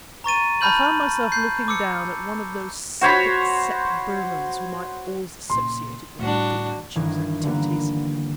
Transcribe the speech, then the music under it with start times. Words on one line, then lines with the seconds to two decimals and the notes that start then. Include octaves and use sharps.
I found myself looking down at one of those thick-set Burmans whom I always associated with Fu-Manchu's activities.
0.24 A#5 C#6 A6 D#7
0.61 A5 B5 F6 G6 F#7
1.32 G6 C7
1.68 D6 E6 C#7
3.01 F#4 C5 C#5 B5
5.50 A#2 C#3 C6
6.19 A2 G3 D4 F#4
6.95 G1 D#3 E3 G#6
7.43 D3 G3 A#3 B3